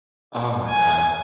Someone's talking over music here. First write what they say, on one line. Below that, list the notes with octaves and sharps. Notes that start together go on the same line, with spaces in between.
Oh my god.
G#5